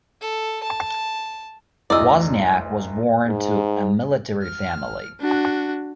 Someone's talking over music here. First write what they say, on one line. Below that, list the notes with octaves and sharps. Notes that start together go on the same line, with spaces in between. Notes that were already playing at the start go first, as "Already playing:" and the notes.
Wozniak was born to a military family.
A4
A5
F1 D2 E4 G#4 D5 D#5 E6
G#2
F6
D4 F#4